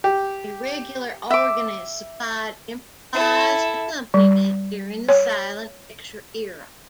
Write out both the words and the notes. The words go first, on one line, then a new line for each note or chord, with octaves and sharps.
A regular organist supplied improvised accompaniment during the silent picture era.
G4
E5 D6
E4 A4
G3
C#5